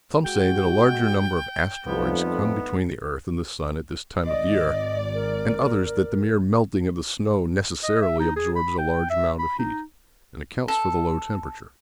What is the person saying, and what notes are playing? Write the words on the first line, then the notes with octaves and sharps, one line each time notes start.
Some say that a larger number of asteroids come between the earth and the sun at this time of year, and others that the mere melting of the snow necessarily absorbs a large amount of heat, and accounts for the low temperature.
G#3 F#4 G5
F2 F3 G3 A3 B3 D#4
G#1 D5 D#5
A#4
D#5
E5
D#4
G#4
B5
G5
E5
B5
D#4
A4